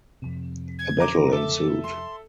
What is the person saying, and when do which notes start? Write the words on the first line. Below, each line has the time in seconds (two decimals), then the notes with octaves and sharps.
A battle ensued.
0.22 F2 C3
0.79 G#6
1.00 A#5 D6
1.32 A4 E5 D6
1.84 C6